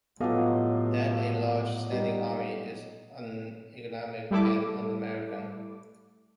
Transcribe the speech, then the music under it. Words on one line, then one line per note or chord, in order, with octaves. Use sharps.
That a large standing army is uneconomic and un-American.
A2 F#3 B3 F4 G4 A4 D#5 F5
G3 D#4 G4
G3 A3 E4 A4 D6